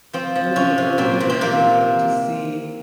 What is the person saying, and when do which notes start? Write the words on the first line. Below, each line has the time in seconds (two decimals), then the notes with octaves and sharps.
a little bit older, and being able to see
0.13 F3 C4
0.35 F3
0.56 C3 C#4
0.78 C3
0.98 A#2 C4
1.20 A#2
1.30 C4
1.41 C3 A#3